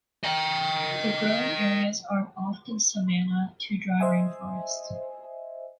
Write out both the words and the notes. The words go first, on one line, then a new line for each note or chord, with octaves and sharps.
The growing areas are often savannah to dry rainforest.
D#5 G5
C5 D#5 E5 G#5